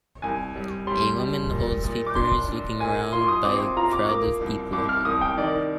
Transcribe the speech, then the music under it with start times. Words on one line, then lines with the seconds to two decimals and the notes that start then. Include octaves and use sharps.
A woman holds papers looking around by a crowd of people.
0.22 C2 G#5
0.56 G3
0.87 G3 C6
1.19 G3
1.52 A#2
1.84 A#2
2.07 D6
2.15 D4 C6
2.48 D4
2.80 A#2 G#5
3.12 F4 C6
3.28 D#6
3.44 C4 D6
3.77 F4 A#5
3.93 D6
4.09 A#3 D6
4.41 C2
4.73 C2 D6
4.89 F6
5.05 C2 D#6
5.21 G5
5.37 D#3 D5